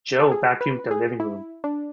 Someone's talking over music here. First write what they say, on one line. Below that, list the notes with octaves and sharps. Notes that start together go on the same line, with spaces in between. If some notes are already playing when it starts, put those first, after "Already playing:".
Jo vacuumed the living room.
A4
G#4
B4
G#4
E4
D4